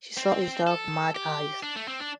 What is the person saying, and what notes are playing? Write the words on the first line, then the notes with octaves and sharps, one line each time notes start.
She saw his dark, mad eyes.
C4
A4
G4
D4
A3
C4
D4